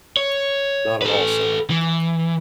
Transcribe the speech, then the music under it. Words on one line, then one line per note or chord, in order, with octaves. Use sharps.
Not at all, sir.
C#5
A4 B4
E3